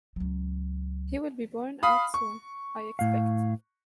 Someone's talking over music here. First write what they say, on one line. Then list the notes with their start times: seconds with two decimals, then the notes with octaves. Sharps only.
He will be worn out soon, I expect.
0.16 C#2 F#3
1.83 F5 B5 D#6
2.14 C#6
2.99 A2 F5